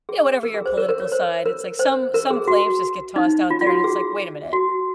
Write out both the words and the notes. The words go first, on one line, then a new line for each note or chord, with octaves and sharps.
you know, whatever your political side, it's, like, some some claims, just, get tossed out there and it's like, "Wait a minute,
G#4
A#4
G#4
C5
A#4
A#4
C#5
C5
A#4
C5
A#4
G#4
F#4
D#4
F4
F4
F#4
G#4
F#4